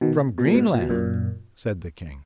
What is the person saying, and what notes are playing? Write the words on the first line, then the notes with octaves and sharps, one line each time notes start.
"From Greenland!" said the king.
B2 D#3
B2
A#2
G#2 B2
A#2
B2
F#2 A#2